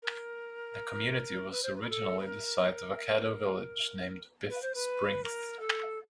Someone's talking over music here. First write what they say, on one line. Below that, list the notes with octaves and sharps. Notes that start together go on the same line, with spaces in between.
The community was originally the site of a Caddo village named Biff Springs.
A#4
B4
C5
B4
A#4
A4
B4
A#4
B4
C5
B4
A#4
A4